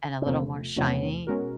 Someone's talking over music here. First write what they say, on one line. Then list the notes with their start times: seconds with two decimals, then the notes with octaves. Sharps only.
and a little more shiny,
0.22 C#4
0.26 E2 C3 F3 A3 A#3 C4
0.76 E2 C3 F3 A3 B3 C#4
1.27 B2 G#3 C#4 F#4 A#4